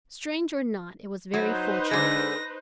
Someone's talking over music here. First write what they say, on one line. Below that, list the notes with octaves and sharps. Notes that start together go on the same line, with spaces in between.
Strange or not, it was very fortunate.
F#3 D#4 B4 C5
D3 G#3 A#6